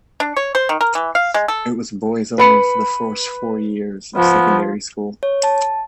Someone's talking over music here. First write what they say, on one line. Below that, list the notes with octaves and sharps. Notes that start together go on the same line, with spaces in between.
It was boys-only for the first four years of secondary school.
D4
C#5
C5
D#3
A#4
E3
F5
G#3
A4
B4 B5 C#7
F3 B3
C#5
A5